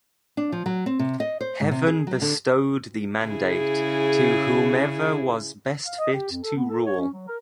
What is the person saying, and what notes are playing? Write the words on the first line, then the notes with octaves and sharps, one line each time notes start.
Heaven bestowed the mandate to whomever was best fit to rule.
D4
F3
F#3
C4
C3
D#5
C5
G#2
C3
G#4
F#3
D3
C#3 E4 G#4
F5
D#5
G4
F2
A4
B3
A4
C#5
C#4
F#3
A#4